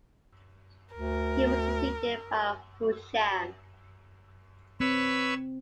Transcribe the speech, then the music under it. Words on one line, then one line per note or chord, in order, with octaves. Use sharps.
He was succeeded by Husham.
D2 A#4
C4 B4 C#5 E6